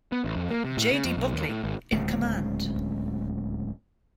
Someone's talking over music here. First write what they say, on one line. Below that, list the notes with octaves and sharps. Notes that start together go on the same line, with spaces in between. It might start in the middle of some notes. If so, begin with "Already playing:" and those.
J. D. Buckeley in command.
B3
A1
F2
A#3
C3
A2
C#3
F2
B1
D#2
A2
G#1
D1 C#2 C#3